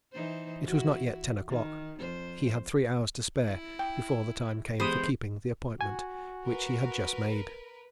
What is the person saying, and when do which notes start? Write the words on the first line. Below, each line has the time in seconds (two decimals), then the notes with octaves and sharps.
It was not yet ten o'clock--he had three hours to spare before the time came for keeping the appointment which he had just made.
0.13 E3 D#4 C5
0.66 E4 F#4
1.49 D#3
1.99 F2 C5
3.40 E4
3.79 G5
4.80 E3 G#3 B3 G4 C5 B5 D#6
5.81 F#4 G#5
6.45 A#4 B4